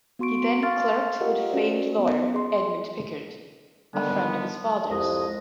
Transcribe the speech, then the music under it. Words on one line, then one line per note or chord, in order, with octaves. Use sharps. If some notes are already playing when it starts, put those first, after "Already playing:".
He then clerked with famed lawyer Edmond Picard, a friend of his father's.
B3 F#4 C6 C#6 D7
F5 C6 C#6 F6 A6
F4 G4 A#4 D#5 F5 F#5
C#4 F#4 C5 D5
B3
G#4 D#5 C6
D3 D#3 G3 B3
C2 F2 G#3 D#5